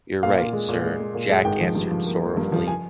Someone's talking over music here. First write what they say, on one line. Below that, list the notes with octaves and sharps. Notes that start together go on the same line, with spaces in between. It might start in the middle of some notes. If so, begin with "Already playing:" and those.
You’re right Sir, Jack answered sorrowfully.
A#2 F5
A#2
G#3
A#2
G#3
G#3
A#2
G#3
G#1 G5
F3
G2
F3
A#3
A#3
G2
F3
G#5